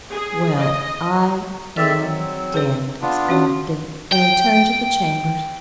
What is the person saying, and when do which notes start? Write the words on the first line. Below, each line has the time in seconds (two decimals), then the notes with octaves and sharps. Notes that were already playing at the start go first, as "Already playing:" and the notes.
'Well--I--am--damned!' exclaimed Dick, and returned to the chambers.
0.12 G#4
0.58 D#5
1.77 C4 G#4 A4 D5 E5
1.96 F#3 C4
2.54 G#4 B4 C#5
3.01 B3 D4 F4
3.28 C#4 F#4 C#5
4.13 G5